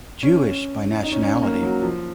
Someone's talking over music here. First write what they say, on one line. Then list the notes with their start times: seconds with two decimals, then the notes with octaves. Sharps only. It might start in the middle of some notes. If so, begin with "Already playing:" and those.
Jewish by nationality.
0.23 C#4
1.03 D#4
1.12 C#4
1.23 C#4
1.33 C#4
1.43 A#3
1.62 F#3
1.82 F3